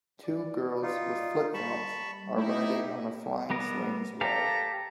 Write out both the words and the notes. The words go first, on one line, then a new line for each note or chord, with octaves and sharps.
Two girls with flipflops are riding on a flying swings ride.
D5
D#4 F4
G3 A5 B5 C#6
A3 D#4 E4 G4
G3 B3 A#4
G4 A4 F5 A#5